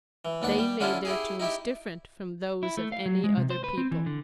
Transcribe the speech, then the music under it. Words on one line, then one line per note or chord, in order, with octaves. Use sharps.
They made their tombs different from those of any other people.
E3
D#2 B3 D4 C#6
G3 G4
D3 C#4 D4 E4 F4
E4 G4 G#4
D#4 E4 G4 E5
E4
A3
F5
F#3
G#3
C3
C5
B4
C4
E3
D3